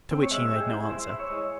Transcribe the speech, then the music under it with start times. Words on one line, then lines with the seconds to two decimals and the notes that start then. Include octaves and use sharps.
To which he made no answer.
0.11 C4
0.23 C#5
0.31 G#3 E5
0.51 G#3
0.56 G4
0.60 G#4
0.70 E4
0.90 E4 C5
1.10 E4
1.20 C#5
1.30 G#3